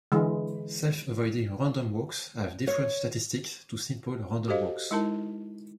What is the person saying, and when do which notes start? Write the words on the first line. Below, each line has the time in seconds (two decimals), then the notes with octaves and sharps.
Self-avoiding random walks have different statistics to simple random walks.
0.12 D3 E3 G#3
2.67 C#5
4.48 F#4 G4 A4 C5 D#5 F5
4.91 G#3 D#4 E4 A#4 A5